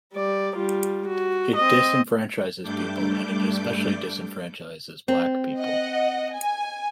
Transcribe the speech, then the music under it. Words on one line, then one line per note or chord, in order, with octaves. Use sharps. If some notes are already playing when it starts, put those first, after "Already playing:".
It disenfranchises people and it especially disenfranchises black people.
G3 D5
G3 F4
F#4
C4 D#5
G2 G3 A3 D4 D6 G6
C4
D#5 F#5
G#5